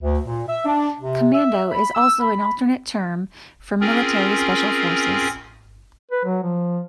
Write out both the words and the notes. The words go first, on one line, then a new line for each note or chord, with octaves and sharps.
Commando is also an alternate term for military special forces.
D2
A#2
E5
D4
C3
E5
B5
E6
B5
C4 C#4 F4 G#4 A#4
B4
F#3
F3